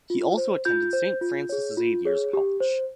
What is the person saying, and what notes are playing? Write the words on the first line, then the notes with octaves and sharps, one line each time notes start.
He also attended Saint Francis Xavier's College.
F4
C5
F4 G6
C5
F4
G#4 C#5
F4
G#4 C#5
G4
C5